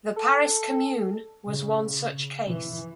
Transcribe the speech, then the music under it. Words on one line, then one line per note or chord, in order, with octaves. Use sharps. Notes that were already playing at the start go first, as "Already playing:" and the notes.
The Paris Commune was one such case.
A4
C#3
E3